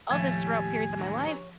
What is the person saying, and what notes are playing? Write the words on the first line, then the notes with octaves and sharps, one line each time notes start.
of this throughout periods of my life
D#2 A2 F3 G3 A3 C#5 G#5
G2 E3 F#3
C#5